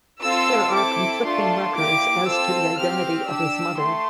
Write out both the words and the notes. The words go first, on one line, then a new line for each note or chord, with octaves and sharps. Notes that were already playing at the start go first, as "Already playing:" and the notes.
There are conflicting records as to the identity of his mother.
C4 F4 A4 E6
C4 E4 A4 D6
A3 D4 F4 A4 C6
A#3 E4 G4 D6
C4 F4 A4 E6
C4 G4 F6
D4 G4 E6
A3 C6